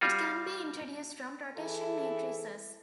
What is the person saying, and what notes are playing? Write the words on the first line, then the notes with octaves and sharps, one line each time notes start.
It can be introduced from rotation matrices.
G3 F4 F#4
E3 E4 G#4 A4